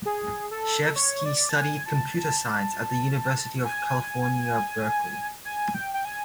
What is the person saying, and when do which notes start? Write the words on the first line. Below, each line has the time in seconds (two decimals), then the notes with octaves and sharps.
Chevsky studied Computer Science at the University of California Berkeley.
0.05 G#4
0.51 A4
0.96 C#5
1.26 D5
1.49 A5
1.56 G#5
1.86 A5
3.65 G#5
5.45 G#5
5.74 G5
5.94 G5
6.05 G#5